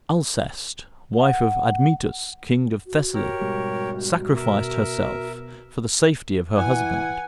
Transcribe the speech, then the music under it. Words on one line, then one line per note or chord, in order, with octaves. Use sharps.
Alceste, wife of Admetus king of Thessaly, sacrificed herself for the safety of her husband.
F#5
F#4
G4 A#4 C#5
G#2 B2 G3
B2 A#4 E5
E3 F#5 G#5